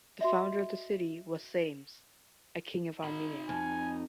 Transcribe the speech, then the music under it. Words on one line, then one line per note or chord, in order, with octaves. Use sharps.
The founder of the city was Sames, a king of Armenia.
F#4 D#5 E5
D#4 B5
F2 G#5